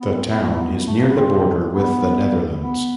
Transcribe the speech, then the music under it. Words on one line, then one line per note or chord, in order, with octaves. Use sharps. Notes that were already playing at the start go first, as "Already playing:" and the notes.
The town is near the border with the Netherlands.
B3
C4
B3
A#3
B3
A3
A#3
B3
C4
B3
B3